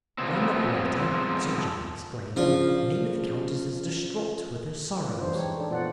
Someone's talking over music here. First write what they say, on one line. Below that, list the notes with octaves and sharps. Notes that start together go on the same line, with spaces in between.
"Run up, Walter," Sir John exclaimed, "maybe the countess is distraught with her sorrows."
F3 G3 G#3 B3 C4
C#3 F3 D4 F4
F3 F4
E3 D4 D#4 C5
G#3 G4 C#5
D4 A4
A#2 B3 F4 C5 D5 F#5